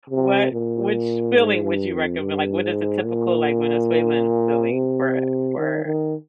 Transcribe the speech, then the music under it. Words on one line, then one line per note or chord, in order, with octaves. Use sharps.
What which filling would you recommend, like, what is a typical, like, Venezuelan filling for for
C3
A#2
G#2
G2
F2
G2
G#2
A#2
C3
D#3
D#3